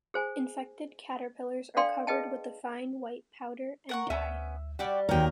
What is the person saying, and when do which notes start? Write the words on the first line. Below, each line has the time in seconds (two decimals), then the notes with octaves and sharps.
Infected caterpillars are covered with a fine white powder and die.
0.14 G#4 C5 G#5
1.76 D4 A4 D5 F5 G5 C6
2.07 G#4 B4 D#5 G5 A5
3.89 A#4 F#5 C#6
4.10 D2 B3 C#4 E5
4.79 G3 F#4 G4 D5
5.09 D#2 C#4 F#4 A#4 C#5 G5